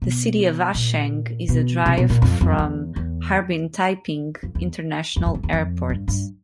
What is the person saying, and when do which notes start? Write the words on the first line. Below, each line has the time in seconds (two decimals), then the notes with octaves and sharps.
The city of Acheng is a drive from Harbin Taiping International Airport.
0.02 B2
0.75 A#2
1.49 B2
1.86 C3
1.98 B2
2.10 A#2
2.22 F2
2.41 F2
2.58 E2
2.96 E2
4.43 F2
4.55 E2
5.16 F2
5.26 F#2
5.35 F2
5.43 E2
5.53 F2
5.90 G2
6.08 G2